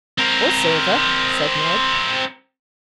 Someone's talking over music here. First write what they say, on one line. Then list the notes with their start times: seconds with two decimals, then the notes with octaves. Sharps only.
"Or silver," said Ned.
0.18 C4 A#4